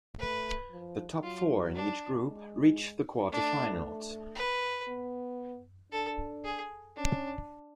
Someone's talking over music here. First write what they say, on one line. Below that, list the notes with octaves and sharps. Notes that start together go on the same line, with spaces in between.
The top four in each group reach the quarter-finals.
A3 B4
F3
F#3 F4
D4
G#3
A3 D4
B4
B3
D4 A4
G#4
C#4 D4